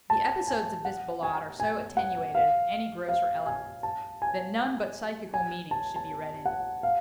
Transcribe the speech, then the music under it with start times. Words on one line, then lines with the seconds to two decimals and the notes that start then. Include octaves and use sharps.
The episodes of this Ballade are so attenuated of any grosser elements that none but psychical meanings should be read into them.
0.10 A5
0.48 G#5
0.85 F#5
1.23 G#5
1.60 G#5
1.97 F#5
2.35 F5
3.08 F5
3.46 G#5
3.83 A5
4.22 G#5
5.34 G#5
5.71 A5
5.96 A5
6.46 F#5
6.83 F5